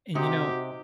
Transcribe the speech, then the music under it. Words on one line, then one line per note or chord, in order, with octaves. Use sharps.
and, you know
C3 D#4 F#4 G4